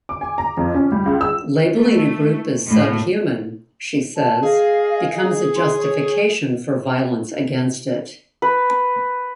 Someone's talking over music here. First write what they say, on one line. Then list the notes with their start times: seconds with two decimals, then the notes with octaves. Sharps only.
Labeling a group as subhuman, she says, becomes a justification for violence against it.
0.09 D6
0.21 G#5
0.38 A#5
0.57 F2
0.74 C#4
0.92 G3
1.06 C#2
1.21 E6
1.75 A3
2.69 A2
4.16 A5
4.43 G#4 D#5 F5
5.55 C6
5.77 C#5
8.42 B4